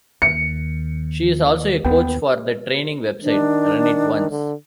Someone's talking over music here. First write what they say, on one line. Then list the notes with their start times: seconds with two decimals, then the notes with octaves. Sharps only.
She is also a coach for the training website, Run It Once.
0.22 D#2 C#7
1.85 D#2 B3 B4 G5
3.23 D#3 D4
4.30 D3